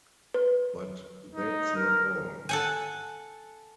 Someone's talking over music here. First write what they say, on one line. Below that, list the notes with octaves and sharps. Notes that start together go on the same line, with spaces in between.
But that's not all.
B4
D#4
A#4
A4 F#5 G#5